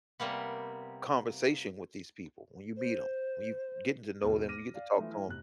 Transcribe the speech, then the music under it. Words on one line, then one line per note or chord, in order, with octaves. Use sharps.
conversation with these people, when you meet 'em, when you getting to know them, you get to talk to 'em.
C3 G3 A#3 B3
C5
E2 B2 D3
D6 F6 A#6 D#7
D5 F5
E3 F3 A3
E4
F1 F#6